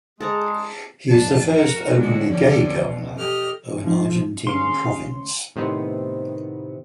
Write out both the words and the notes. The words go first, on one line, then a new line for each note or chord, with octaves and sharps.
He is the first openly gay governor of an Argentine province.
G#3 G#4 A4 D5 A#5
F2 A2 D4 A5
F#4 A#4
D3 G#3 D4 F#4
E2 D3 F3 C#4 D5 G5
B2
G4 A4 D#5 F6
F3
D2 C#4 F#4 G#4 F5 C6
A2 C3 D#3 B3 C4